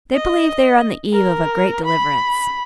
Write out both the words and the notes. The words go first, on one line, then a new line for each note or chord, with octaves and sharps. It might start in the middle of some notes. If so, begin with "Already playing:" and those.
They believe they are on the eve of a great deliverance.
D#5
A#4
B5